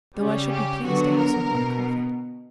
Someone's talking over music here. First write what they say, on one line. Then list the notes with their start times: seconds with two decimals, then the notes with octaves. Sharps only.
"Though I should be pleased to have some hot coffee."
0.17 C#3 G3 C#4
0.50 G4
0.83 D3 F#3 B3 F#4
1.16 A#4
1.49 B2